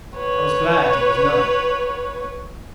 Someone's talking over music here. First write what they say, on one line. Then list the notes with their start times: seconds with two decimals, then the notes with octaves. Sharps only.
I was glad it was night.
0.17 B4 C#5